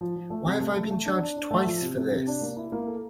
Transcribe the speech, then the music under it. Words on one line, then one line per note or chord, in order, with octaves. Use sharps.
Why have I been charged twice for this?
F3
F3
A3
C3
A3
A3
A3
D4
D4
D4
A3
F3
C3
C3
C3
D4
A#3
E4
A#3
A4